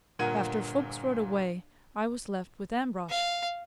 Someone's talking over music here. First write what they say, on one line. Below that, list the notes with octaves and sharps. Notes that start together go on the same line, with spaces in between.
After Fuchs rode away, I was left with Ambrosch.
G1 A#2 A#4 F#5 G#6 D#7
F5